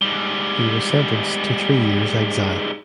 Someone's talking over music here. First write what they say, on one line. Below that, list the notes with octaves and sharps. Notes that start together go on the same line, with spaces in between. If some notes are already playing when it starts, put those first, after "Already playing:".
He was sentenced to three years' exile.
G#2 G3